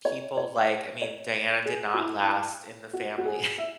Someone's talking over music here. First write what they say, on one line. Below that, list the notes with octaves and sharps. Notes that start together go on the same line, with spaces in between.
people like I mean, Diana did not last in the family.
C#5
C#5
C#5
G#4
F#4
E4
E4
F#4
F#4
G#4
E5